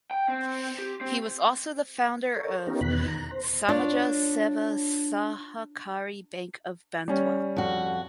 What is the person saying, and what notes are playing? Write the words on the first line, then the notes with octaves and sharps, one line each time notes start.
He was also the founder of Samaja Seva Sahakari Bank of Bantwal.
G5
C4
G4
C4
A4 A#4 C#5
B3 C#4 D#4 F4 G4 A#4
E2 B2 D#3 B3 B5 F#6
A#5
C5
D4 F4 C#5 D5
G3 C#4
F2 F#4